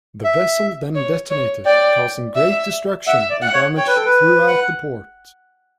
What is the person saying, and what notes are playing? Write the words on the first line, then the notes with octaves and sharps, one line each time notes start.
The vessel then detonated, causing great destruction and damage throughout the port.
E5
C#5
C#5
D5 G5
E5
E5 F#5
D5
F#5
C#5
C#5 G5
B4
A4
B4
F#5